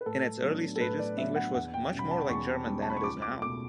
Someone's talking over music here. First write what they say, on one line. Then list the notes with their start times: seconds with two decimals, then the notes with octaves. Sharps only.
In its early stages English was much more like German than it is now.
0.01 B4
0.06 A2 A4
0.42 F#3 B3 D4
0.76 A4
0.80 A2 B4
0.99 D5
1.17 F#3 B3 D4 E5
1.36 F#5
1.54 E2 F#5
1.74 G5
1.92 B2 G3 C#4
1.99 B5
2.11 A5
2.29 E2 C#6
2.67 B2 G3 C#4
2.82 A5
2.90 B5
2.97 C#6
3.04 C#2 D6
3.22 D6
3.42 A3 D6
3.45 B2